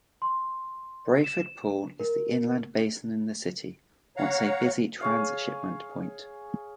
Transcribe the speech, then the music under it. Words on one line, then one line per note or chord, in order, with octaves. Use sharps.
Brayford Pool is the inland basin in the city, once a busy transhipment point.
C6
E7
A#4
C#5 F5 F#5 A#5
G#4 C#5 F5